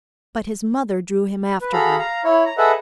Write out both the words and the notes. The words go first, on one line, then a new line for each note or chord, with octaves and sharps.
But his mother drew him after her.
B4
F#4 G#4 A4 F5 A#5 B5
F5 A#5
E4 C#5
A#5
G#4 A4 B4 D#5 E5 F#5